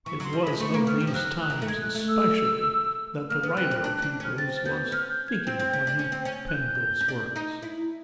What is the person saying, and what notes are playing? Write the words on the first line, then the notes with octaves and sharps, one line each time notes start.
It was of these times especially that the writer of Hebrews was thinking when he penned those words.
E3 C#6
F#3 C6
G3
G#3 B5
A3 C#6
A#3
B3 F6
G3
F3
F#3 F#6
F#6
D#3
A3
G#3 G#6
F#6
A3
E6
A#3 F6
B3
C4 F#6
C4
D4 F#6
F#6
D4
C#4 F6
C4 A6
B3 G6
C#4 F6
G6
G#6
C4 G6
C4
C#4
D4
C#4
C4
C#4
F#6
G6
C#4
D4
D#4
E4